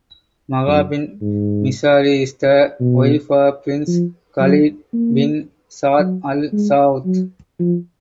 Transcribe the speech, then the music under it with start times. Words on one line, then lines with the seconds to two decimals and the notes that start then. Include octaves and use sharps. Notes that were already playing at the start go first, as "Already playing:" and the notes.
Maha bint Mishari is the wife of Prince Khaled bin Saad Al Saud.
0.68 F#2
1.22 G#2
2.81 B2
3.88 F3
4.40 F#3
4.94 A#3
5.99 F#3
6.53 G#3
7.05 F#3
7.59 F3